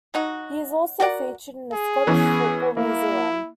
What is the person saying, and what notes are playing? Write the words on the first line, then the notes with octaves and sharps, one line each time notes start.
He is also featured in the Scottish Football Museum.
F#3 D#4 F#4
F#4 A#4 D5 F#5
G#4
E3 B3 C#4
A#3 E4